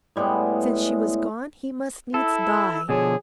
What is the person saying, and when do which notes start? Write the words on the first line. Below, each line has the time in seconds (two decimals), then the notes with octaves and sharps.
Since she was gone, he must needs die.
0.16 A2 G3 G#3 B3
2.14 E4 A4 E6
2.89 B2 D3 F3 G#4 C#5